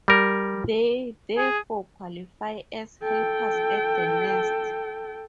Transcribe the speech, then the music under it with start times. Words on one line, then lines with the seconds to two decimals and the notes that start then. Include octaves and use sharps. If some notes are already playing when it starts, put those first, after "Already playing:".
They therefore qualify as helpers at the nest.
0.08 G3 A#4
1.37 G#4
3.03 A4 G5